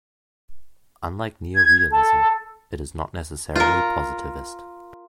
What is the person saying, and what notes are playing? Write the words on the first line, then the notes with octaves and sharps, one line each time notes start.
Unlike neo-realism, it is not necessarily positivist.
G#6
A4
F4 A#4